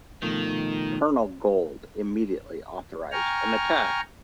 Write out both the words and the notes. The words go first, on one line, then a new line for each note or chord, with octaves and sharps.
Colonel Gold immediately authorised an attack.
B2 D#3 F3 A3
G5 G#5 A#5 C#6 F6